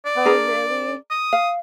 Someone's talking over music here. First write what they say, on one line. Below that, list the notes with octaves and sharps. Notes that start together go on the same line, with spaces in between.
Oh, really?
D5
D4 G#4 A#4
D#6
F5